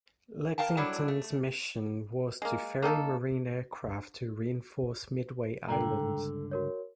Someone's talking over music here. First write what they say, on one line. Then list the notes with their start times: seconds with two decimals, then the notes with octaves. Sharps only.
"Lexington"s mission was to ferry Marine aircraft to reinforce Midway Island.
0.58 A#4 F5 G5 A5
0.77 F#3 G3 D4 E4 A4
1.08 A3
2.42 G#3 A#3
2.82 A#3 D#4 G#4 A4
5.68 C#2 G2 D3 A4 G5 A#5
6.51 F#4 A#4 C#5